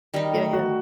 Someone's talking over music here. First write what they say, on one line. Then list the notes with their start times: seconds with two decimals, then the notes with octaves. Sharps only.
Yeah, yeah.
0.14 D#3 G3 D#4
0.33 A3
0.53 F#4